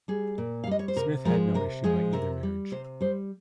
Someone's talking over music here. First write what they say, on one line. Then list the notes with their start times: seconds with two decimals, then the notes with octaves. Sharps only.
Smith had no issue by either marriage.
0.08 G3 G#4
0.38 A#2
0.64 F5
0.67 G3 D#5
0.79 C#5
0.88 C5
0.97 C3 A#4
1.25 F3 G#3 A#4
1.54 C3 A#4
1.84 F3 G#3 G#4
2.13 C3 A#4
2.43 G3
2.72 C3 C5
3.01 G3 C5